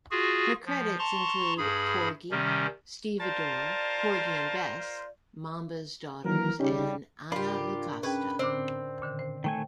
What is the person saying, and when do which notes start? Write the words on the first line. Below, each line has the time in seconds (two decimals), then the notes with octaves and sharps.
Her credits include "Porgy", "Stevedore", "Porgy and Bess", "Mamba's Daughters" and "Anna Lucasta".
0.11 F4 F#4 G#4
0.66 F3
0.99 A5 A#5 C6 C#6
1.58 G2 G#4 B5
2.31 C3 D#3 G3 C#4
3.20 F4 A#4 C5 D5 A5
6.25 D#3 E3 F#3 A#3 A#4
6.60 C#3 G3 C#4 D#4 G4
7.32 G#2 C#3 D4 F4 G4 A#4 B5
8.03 C#4 G#4 B4 G5
8.39 A2 D3 C4 D6
9.02 A#2 D3 D#3
9.19 C5
9.44 D#3 A3 G5 G#5